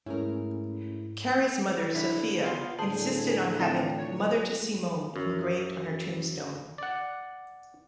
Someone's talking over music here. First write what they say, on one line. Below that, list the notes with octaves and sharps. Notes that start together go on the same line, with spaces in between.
Carrie's mother, Sophia, insisted on having "mother to Simone" engraved on her tombstone.
G#2 A3 C#4 E4 G#4 A#4
D3 E4
B3 F4 F5
A2 D3 G#4 C5 A5
C4 D4 F4 E5 G5
C#5
F#2
D5 F#5